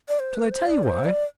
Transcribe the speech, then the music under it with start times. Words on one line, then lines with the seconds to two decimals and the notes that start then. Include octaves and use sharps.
Shall I tell you why?
0.09 D5
0.19 C5
0.35 B4
0.51 C5
0.66 D5
0.83 C5
1.04 D5